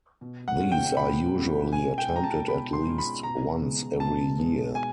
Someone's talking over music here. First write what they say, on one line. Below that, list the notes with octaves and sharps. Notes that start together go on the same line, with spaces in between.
These are usually attempted at least once every year.
B2
F#5
G#3 C#4 F4
G5
B2 B5
G#3 C#4 F4
B2 G#5
G5
G#3 C#4 F4 A#5
A5
B2 B5
C6
G#3 C#4 F4
B5
B2 A#5
G#3 B3
B2 A5
G#3 B3
B2 G#5